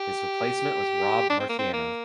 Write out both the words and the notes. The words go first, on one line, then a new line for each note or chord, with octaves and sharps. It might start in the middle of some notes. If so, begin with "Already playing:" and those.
His replacement was Rob Marciano.
Already playing: G4
D4
C4
A#3
C4
A#3